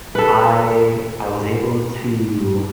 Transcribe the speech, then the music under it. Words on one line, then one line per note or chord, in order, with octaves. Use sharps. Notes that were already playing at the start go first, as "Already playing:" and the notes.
I I was able to
A4 B4